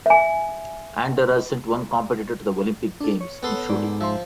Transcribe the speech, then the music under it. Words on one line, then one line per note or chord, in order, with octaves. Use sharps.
Andorra sent one competitor to the Olympic Games in shooting.
E5 G#5
D4 A4
C#5
B3 A4 C6
G#2 D5
F3 E5 C6